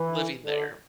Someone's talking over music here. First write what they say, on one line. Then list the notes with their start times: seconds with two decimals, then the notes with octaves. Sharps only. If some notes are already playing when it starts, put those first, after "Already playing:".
living there.
Already playing: E3
0.44 D3